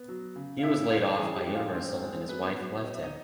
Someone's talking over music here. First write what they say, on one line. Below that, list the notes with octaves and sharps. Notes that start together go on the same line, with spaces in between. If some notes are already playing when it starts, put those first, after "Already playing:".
He was laid off by Universal and his wife left him.
Already playing: B3
F#3
C#3
F5
C#3 E4 E5
C#3 F4 F5
A5
E3 G#4 G#5
G4 G5
G#3
F4 F5
G2 C4 C5
G#3
F#3 B3 B4
F#3
B3 D#5
E5
D#4 D#5